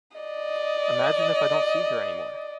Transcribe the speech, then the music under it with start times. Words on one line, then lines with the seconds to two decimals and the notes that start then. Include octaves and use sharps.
Imagine if I don’t see her anymore.
0.17 D5 D#5